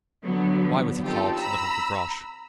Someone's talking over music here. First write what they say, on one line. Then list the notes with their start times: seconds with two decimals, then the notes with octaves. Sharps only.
Why was he called Little Gavroche?
0.24 D3 F#3 B3
1.04 C4 D#4 F4 G4 A4
1.37 A#5 B5 E6